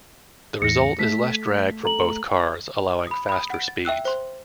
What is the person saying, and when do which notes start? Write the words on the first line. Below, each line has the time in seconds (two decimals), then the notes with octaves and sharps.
The result is less drag for both cars, allowing faster speeds.
0.62 E2 A2 A#6 C#7
0.99 A3 B6
1.83 A4 A#5 F#7
3.07 B5 D#6
3.29 B5 D#6
3.50 F#5 D7
3.68 A6
3.85 E5 G5 E6 F#6
4.05 C5 C6